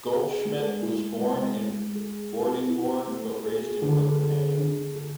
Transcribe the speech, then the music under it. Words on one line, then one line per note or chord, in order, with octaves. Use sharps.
Goldschmidt was born in Vordingborg but raised in Copenhagen.
G#4
G#3
E4
G#3
G#3
G#4
E4
E4
A3
G#4
D3
G#4
D3
G#4